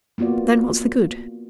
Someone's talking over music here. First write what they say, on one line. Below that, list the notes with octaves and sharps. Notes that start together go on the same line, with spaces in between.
"Then what's the good?"
A#3 B3 F4 F#4 D5